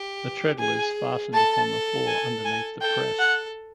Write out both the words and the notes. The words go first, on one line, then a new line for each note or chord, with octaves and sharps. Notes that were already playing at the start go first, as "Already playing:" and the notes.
The treadle is fastened upon the floor underneath the press.
Already playing: G4
G#4 G#5
A4 A5
G#5
G#5
A4 G5
F#5